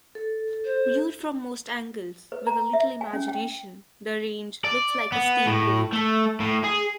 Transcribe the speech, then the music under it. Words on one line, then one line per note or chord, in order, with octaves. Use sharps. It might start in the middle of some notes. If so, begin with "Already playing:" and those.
Viewed from most angles, with a little imagination, the range looks like a steamboat.
A4
C5
B4
A#5
E5
G#5
C#4
G5
D5
B3
A2
A3
A2
G#4